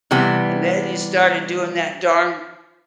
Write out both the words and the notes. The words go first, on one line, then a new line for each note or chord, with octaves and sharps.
"And then, you started doing that darn
C3 E3 G3 B3